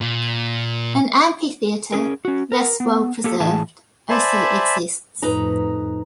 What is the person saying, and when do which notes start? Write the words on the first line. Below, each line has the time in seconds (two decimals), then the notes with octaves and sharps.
An amphitheatre, less well preserved, also exists.
0.01 A#2
1.92 C#4 G#4 A#4
2.25 C#4 F#4
2.52 A#4
2.80 B3
3.24 A#3 G4 A4
3.40 A2 E3 G#4 A5
4.10 C5 D5 E5 G#5 A5 B5
5.22 F2 A2 D#4 B4 A#5